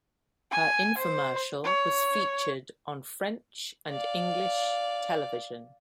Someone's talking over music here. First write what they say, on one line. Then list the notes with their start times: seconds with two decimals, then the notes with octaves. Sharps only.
Her infomercial was featured on French and English television.
0.51 G#5
0.97 C5
1.64 C#5
3.90 D5 F5